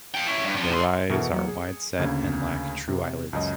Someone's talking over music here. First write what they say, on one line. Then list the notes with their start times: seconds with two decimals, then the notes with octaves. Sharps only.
Their eyes are wide-set and lack true eyelids.
0.15 F5 G5
0.27 C#4 E4
0.44 G2
0.57 F2 F3
0.69 A2 C6
1.10 E2 B2 A4 A#4 E5 C#7
1.33 F#3 A#3
1.48 G#4
1.98 D2 C#3 A#3 G#6
2.88 C3
3.33 C#2 F#2 D#5